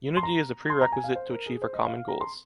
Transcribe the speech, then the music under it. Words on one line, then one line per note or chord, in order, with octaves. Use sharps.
Unity is a prerequisite to achieve our common goals.
C6
A#5
C6
A#5
G#5
F5
C5
A#4
G#4
C5
D#5
F5
F5
A#5
C6